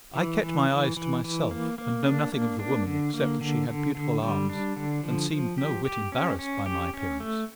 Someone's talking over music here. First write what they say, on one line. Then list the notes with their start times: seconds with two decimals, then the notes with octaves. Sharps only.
I kept my eyes to myself, and know nothing of the woman except that she had beautiful arms, and seemed no whit embarrassed by my appearance.
0.16 E3
0.43 E3
0.70 E3
0.97 E3
1.24 E3
1.51 A#3
1.78 A#3
2.05 D4
2.32 A#3
2.59 D4
2.87 D3
3.14 A#3
3.41 D3
3.68 D3
3.95 D3
4.22 G3
4.49 D4
4.76 D3
5.04 F3
5.31 F3
5.58 G4
5.85 G4
6.12 C#4
6.39 C#4
6.66 G4
6.94 C#4
7.20 A3